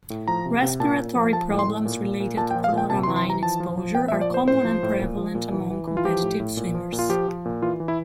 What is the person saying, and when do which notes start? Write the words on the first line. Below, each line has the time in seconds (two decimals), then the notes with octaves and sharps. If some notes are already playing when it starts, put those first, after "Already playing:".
Respiratory problems related to chloramine exposure are common and prevalent among competitive swimmers.
0.10 A2
0.28 F3 A#5
0.46 C3
0.62 C3
0.80 A#2 A5
0.97 A#2
1.15 F3
1.33 F3 A5
1.50 A2
1.59 C6
1.68 A2
1.85 A#2
2.03 A#2
2.20 A#2
2.37 A#2 A5
2.51 G5
2.55 F3
2.64 F5
2.72 A#2
2.78 G5
2.90 C3 A5
3.03 C6
3.07 E3
3.16 C6
3.26 E3 A#5
3.42 F3 A5
3.60 F3
3.77 F3
3.95 A#2 G5
4.08 E5
4.12 F3
4.21 D5
4.30 A#2 C5
4.48 A2 C5
4.65 F3
4.83 A2
4.99 A#2
5.17 F3
5.35 A#2
5.52 E3
5.70 E3
5.87 E3
5.97 F4
6.05 F3 G4
6.22 A2
6.40 A2
6.57 A#2
6.75 F3
6.93 A#2
6.99 F4
7.10 F3 G4
7.28 F3
7.45 A#2
7.62 E3 F4
7.80 E3
7.88 E4